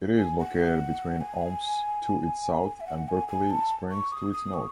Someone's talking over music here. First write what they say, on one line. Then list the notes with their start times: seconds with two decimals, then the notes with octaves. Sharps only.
It is located between Omps to its south and Berkeley Springs to its north.
0.18 G#5
0.39 F#5
1.21 G#5
2.80 E5
2.87 F#5
3.08 G#5
3.28 G#5
3.50 A5
3.91 C#6
4.12 D#6
4.33 D#6
4.54 C#6